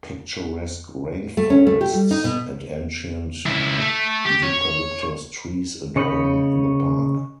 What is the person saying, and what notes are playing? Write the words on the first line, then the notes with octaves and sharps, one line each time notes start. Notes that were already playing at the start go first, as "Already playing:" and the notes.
Picturesque rain forests and ancient eucalyptus trees adorn the park.
A3
C#4
A3
G4
G3
D#4
B2
C#2 E4
A3
G4
C#5
C#3 C#5 D#5 B5 G6